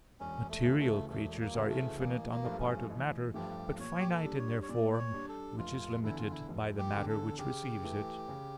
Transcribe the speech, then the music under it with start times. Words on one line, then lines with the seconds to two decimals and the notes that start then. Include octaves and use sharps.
Material creatures are infinite on the part of matter, but finite in their form, which is limited by the matter which receives it.
0.20 E1 C#4
0.49 A3
0.65 D2 C#3 E3
0.80 A3
1.10 E1 A3
1.40 A#3
1.54 D2 C#3 E3
1.69 A3
1.99 A1 A#3
2.30 A#3
2.45 G2 F3 A3
2.59 C#4
2.90 A1
3.34 G2 F3 A3 G4
3.79 A#2 C#5
4.00 G4
4.10 A4
4.24 G3 D4
4.39 C#5
4.63 C#5
4.69 A#2 D5
4.93 D5
4.99 C#5
5.14 G3 D4
5.29 A4
5.58 F1 F4
6.04 E2 D3 E4
6.18 F4
6.31 E4
6.48 F1
6.78 G4
6.94 E2 D3
7.09 A4
7.38 C#3 G4
7.83 E3 A3
8.28 C#3